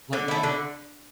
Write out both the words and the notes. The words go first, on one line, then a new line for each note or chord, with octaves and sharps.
Let me"
D3
A3 E4
D3